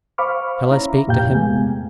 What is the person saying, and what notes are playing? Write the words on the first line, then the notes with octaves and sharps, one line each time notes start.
Shall I speak to him?
C5 F5 B5 C#6 D6 F6
C#4 E4 C#5 E5 A#5
F2 A#2 G4 F5 G5 G6
E2 C3 G#3 A3 B3 G#5